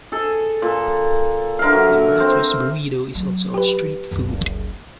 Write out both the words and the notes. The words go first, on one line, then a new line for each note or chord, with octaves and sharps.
The breakfast burrito is also a street food.
G#4 A4
A#2 A4
D3 A#4 E5 F5
F#3
C4
F#3
G4 B4
F#1 C#2